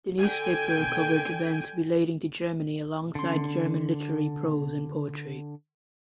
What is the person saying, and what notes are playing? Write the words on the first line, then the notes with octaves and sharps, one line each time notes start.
The newspaper covered events relating to Germany alongside German literary prose and poetry.
D3 G5 G#5
D3 C6